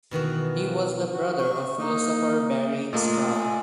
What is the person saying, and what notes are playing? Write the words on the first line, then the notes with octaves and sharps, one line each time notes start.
He was the brother of philosopher Barry Stroud.
B2 D#3 E3 F#4
F#4
C#6
A#3 D#4
A#2 A3 A#3 F4 D#5
G#5